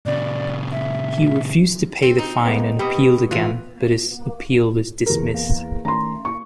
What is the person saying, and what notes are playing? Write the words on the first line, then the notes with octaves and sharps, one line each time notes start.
He refused to pay the fine and appealed again, but his appeal was dismissed.
A#2 C#3 D5
E5
C4
D#4
G#3 A#3 B3
B2 G4 B5 D#6
A#2 E3 F4 F#6
E2 A#4
A#3
D#3 A3 C#4 A#5 C6
A#3 C#6